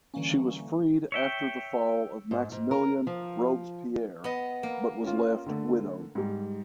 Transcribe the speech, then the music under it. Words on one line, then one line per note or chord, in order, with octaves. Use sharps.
She was freed after the fall of Maximilien Robespierre but was left widowed.
D3 E3 G3 A#3 C#4
C#5 E5 G5
G#2
G#2
A#4
F3
B3 D#5
A#3
C#4 F4
D3 A3
G#2 G3